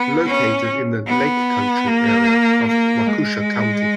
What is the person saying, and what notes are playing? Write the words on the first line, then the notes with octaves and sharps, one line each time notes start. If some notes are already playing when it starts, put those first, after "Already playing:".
Located in the "Lake Country" area of Waukesha County.
Already playing: B3
C#4
B3
A#3
A#3
G#3